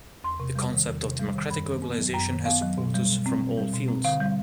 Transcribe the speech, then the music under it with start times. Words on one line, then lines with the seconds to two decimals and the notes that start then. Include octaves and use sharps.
The concept of democratic globalization has supporters from all fields.
0.24 E2 C6
0.40 C3
0.56 G3
0.72 D#3
0.87 E2
1.03 C3
1.20 G3
1.36 D#3
1.50 F#2 B5
1.67 D#3
1.82 B3
1.98 F#3
2.14 F#2 A#5
2.30 D#3
2.45 B3 F5
2.62 F#3
2.78 B2
2.94 G3
3.10 B2
3.26 C4
3.42 B2
3.57 G3
3.73 B2
3.88 C4
4.04 D3 F5
4.20 G3